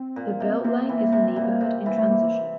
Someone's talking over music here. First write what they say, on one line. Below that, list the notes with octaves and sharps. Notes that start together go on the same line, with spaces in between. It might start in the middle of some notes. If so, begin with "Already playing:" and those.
The Beltline is a neighbourhood in transition.
Already playing: C4
A#2
C3
C3 A#3
E3
C3
A#2
C3
E3
A3
A#3